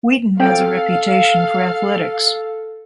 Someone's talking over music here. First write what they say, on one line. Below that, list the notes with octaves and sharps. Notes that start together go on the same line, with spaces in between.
Wheaton has a reputation for athletics.
C4 A4 F5 G5